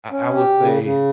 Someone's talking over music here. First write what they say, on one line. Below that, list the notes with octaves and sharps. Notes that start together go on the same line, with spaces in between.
I I will say
C#4
G4
C#3
C#3